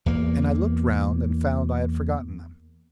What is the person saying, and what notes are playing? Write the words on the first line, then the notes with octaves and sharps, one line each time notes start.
And I looked round, and found I had forgotten them.
E2 A#3